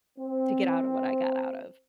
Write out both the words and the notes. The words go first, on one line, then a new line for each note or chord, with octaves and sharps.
to get outta what I got out of,
C4